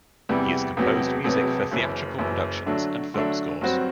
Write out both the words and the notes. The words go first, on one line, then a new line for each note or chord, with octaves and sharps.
He has composed music for theatrical productions and film scores.
E2 C3 E3 G3
E1 E2 C3 F#3 B3
E1 E2 C3 F#3 B3
F#1 F#2 E3
F#1 F#2 E3
D3 F#3 A3 D4
D3 F#3 A3 D4
G2 F#3 C4 F#4 C5